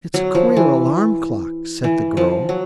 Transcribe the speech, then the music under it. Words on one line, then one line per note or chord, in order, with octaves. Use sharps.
"It's a queer alarm clock," said the girl.
F#3
F3
E3
E3
F3
F#3